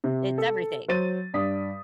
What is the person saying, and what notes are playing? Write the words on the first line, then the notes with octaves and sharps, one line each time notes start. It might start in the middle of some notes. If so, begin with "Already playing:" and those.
It's everything,
C3
A4
F#3 C5 A6 D#7
G2 D5 D#6 B6